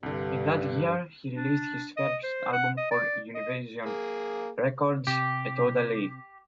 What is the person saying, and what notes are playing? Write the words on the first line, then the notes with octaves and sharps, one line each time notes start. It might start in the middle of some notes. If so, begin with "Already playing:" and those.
In that year, he released his first album for Univision Records, A Toda Ley.
C2 G2 D3
D4
D#5
C5
F#5
D#5
D5
D#5
A#3 G#4
C3 G4